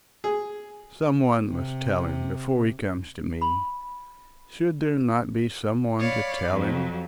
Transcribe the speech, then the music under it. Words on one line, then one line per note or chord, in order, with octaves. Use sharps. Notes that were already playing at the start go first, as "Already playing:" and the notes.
Some one must tell him before he comes to me. Should there not be some one to tell him?
G#4
C3
B5
C#5 D5 F5 B5
F2 F#3